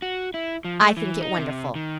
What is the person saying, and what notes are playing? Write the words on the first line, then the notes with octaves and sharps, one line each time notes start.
I think it wonderful.
F#4
E4
F3
A3
E3
D#4
C3
D#3